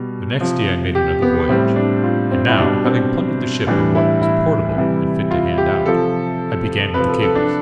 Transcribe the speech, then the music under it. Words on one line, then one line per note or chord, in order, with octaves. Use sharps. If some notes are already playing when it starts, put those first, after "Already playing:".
The next day I made another voyage, and now, having plundered the ship of what was portable and fit to hand out, I began with the cables.
Already playing: B2 G3
C3 F3
G4
B3
A2 G3 C4
D4
F4
C4
E4
B2 G3 D4
C4
A2 E3 G3 D4
E4
E4
C3 E3 G3
F4
G4
C3 F3 A4
C3 F3 B4
A4
A4
D4